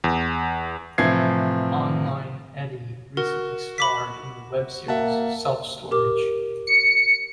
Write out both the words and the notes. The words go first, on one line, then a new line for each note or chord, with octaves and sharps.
Online Eddie recently starred in the web-series Self-Storage.
E2
A2 C3 E3 F3 G#6 C7
F#4 A#4
B5 D6 B6
A#3 E5 F#5 A5
G4 A#4 D6
C#7